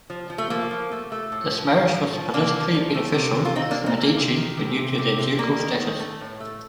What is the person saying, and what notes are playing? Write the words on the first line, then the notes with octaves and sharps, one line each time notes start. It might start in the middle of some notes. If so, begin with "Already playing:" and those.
This marriage was politically beneficial as the Medici were new to their ducal status.
F3
F3
A3
F3 A#3
F3
A3
A3
A2
F3
A2
A2
F3
C3 A#3 D4
F3
F3
A3
C3
C3
F4
A3 C4 D#4
A#3 D4
C3
C4 D#4
A3
A#3
C3
D#3
C3
C3
C3
C3
G3 A#3
D#3
D#3
A3
A2
A3